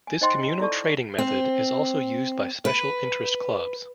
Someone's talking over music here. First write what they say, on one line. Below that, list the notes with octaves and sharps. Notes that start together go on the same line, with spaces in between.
This communal trading method is also used by special interest clubs.
G#5
D#4 C5 D#5 G5 C6
E4 F4 A4 D5 A5 C#6
C4
B4